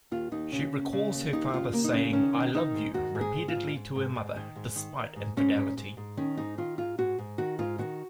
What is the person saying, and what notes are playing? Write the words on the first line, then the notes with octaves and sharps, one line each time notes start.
She recalls her father saying "I love you" repeatedly to her mother, despite infidelity.
D#2 F4
D#2 D#4
C#3 C#4
D#2
C#3
D#2
D#2 D#4
C#3 F4
D#2 A#3
D#4
C#3 C#4
D#3 C#4
D#3
D#3 D#4
G#2
D#3 F#4
G#2
G#4
G#2
F4
G#2
G#2
G#2
G#2
D#3
G#2
D#3
D#3
G#2
G#2 C#4
G#2
G#2
G#2
D#3 C#4
G#2 D#4
D#3 F4
G#2 F4
G#2 F#4
G#2
D#3 F#4
G#2 F4
D#3 F#4